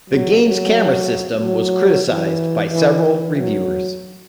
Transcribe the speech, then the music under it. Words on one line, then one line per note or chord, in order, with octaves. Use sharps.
The game's camera system was criticised by several reviewers.
F#3
F#3
F#3
E3
E3
E3
F#3